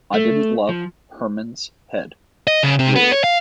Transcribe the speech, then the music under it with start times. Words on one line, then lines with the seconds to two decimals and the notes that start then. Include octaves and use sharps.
I didn't love "Herman's Head", really.
0.14 A3
0.69 F3
2.47 D#5
2.63 C#3
2.79 C3
2.96 B3
3.12 C#5
3.24 F5